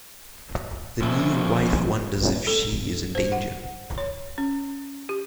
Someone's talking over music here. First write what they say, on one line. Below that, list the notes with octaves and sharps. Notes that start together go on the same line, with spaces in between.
The new wife wonders if she is in danger.
D3 F3 G#3 A#3 C#4 E5
A4
C5
F#5
C#5
C#4
G4